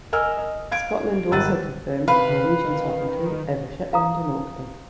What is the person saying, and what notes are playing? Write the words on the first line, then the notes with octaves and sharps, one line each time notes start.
Scotland also confirmed Norwegian sovereignty over Shetland and Orkney.
A#4 D#5 G#5 E6 F6
D#5
F5 G#6 D7
G#1 G3 E6 F#6 A6 D#7
C3 B4 F5
D#3
F5 A#5 D#6